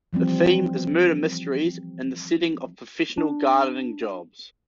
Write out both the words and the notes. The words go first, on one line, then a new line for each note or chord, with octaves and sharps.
The theme is murder mysteries in the setting of professional gardening jobs.
E3 F3 G3 C4
D4